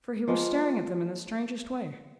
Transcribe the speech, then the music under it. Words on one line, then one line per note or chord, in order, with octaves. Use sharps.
For, he was staring at them in the strangest way.
F3 G#3 A#3 F4